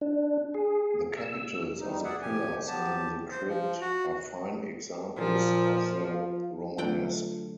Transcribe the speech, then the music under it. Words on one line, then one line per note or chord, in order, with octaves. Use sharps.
The capitals of the pillars in the crypt are fine examples of the Romanesque.
D4
G#4
E6
D#3 G3 D#4
G#4 D5 E5 F#5
F3 G4 G#5
F3 F#3 B3 G4 A5
C5
F3
F#4
A#2 F3
F4
D3 F#3 A3 F4 G5